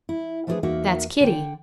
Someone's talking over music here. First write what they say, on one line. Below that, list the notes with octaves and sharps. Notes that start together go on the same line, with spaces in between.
"That's Kitty."
E4
F3 A3 D4 F#4 G#4 B4
E2 A#3 D#4 F#4 A#4 E5
D3 G5